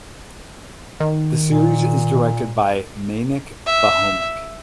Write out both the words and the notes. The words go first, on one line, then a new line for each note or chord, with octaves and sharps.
The series is directed by Mainak Bhaumik.
D#3
A#2
E5